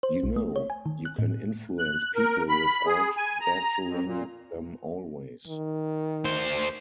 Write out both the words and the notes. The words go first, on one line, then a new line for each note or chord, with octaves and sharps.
You know, you can influence people without badgering them always.
C5
B1
A3
C#5
G#5
D#3
F#6
A2
F#6
A#4
B5
G#4
G#5
A#5
F2
A#2
D#3
D2 C5